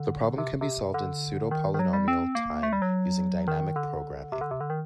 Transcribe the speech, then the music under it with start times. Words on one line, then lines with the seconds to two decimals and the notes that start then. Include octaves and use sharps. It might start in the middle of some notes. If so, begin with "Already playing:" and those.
The problem can be solved in pseudo-polynomial time using dynamic programming.
Already playing: D3
0.38 C3
0.61 C3
0.94 D3
1.51 D#3
1.74 D#3
1.79 F#3
1.93 G3
2.08 C4
2.35 A#3
2.63 A3
2.73 G3
2.82 F#3
3.48 D#3
3.76 D3
4.32 C3
4.41 D3
4.51 C3
4.61 D3
4.70 D#3